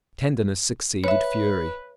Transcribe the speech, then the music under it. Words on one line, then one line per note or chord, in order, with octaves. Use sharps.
Tenderness succeeded fury.
B4 C#5 E5